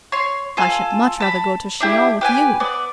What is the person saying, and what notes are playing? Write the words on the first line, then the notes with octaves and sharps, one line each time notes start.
"I should much rather go to Chillon with you."
C#5 C6
F4 A4 G#5
A5 B5
D4 E4 G4
G4 B4 G#5
B3 D5